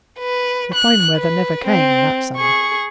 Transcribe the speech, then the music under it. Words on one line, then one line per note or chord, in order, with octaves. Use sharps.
The fine weather never came that summer.
B4
F#6
B4
C4
G#4 C#6